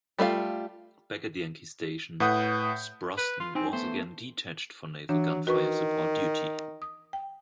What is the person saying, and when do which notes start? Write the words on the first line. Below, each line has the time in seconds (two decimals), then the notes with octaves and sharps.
Back at Yankee Station, "Sproston" was again detached for naval gunfire support duty.
0.18 G3 A3 F4 F5
2.20 A2 B4 F#5 D#6 G6
3.17 B4
3.40 F4
3.55 C4 D#4 G5 G#5
3.73 A3 B3 C5
5.09 E3 F#3 D4
5.47 D#3 F#4 B4 C#6
6.82 D#6
7.13 G5